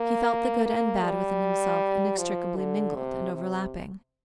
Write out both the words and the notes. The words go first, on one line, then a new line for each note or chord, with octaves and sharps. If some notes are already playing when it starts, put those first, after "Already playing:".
He felt the good and bad within himself inextricably mingled and overlapping.
Already playing: A#3
A#3
G3
F3
D3
C3
C3